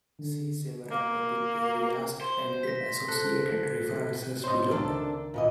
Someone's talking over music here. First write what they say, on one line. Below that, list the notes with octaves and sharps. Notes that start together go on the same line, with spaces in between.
See several topic areas, and the associated references, below.
D3
A#3
C5
A#6 B6
A4 F#6
D#2 A2 C5 D#5
C#2 C3 D#3 D4 A4 A#4
A#2 E3 D#5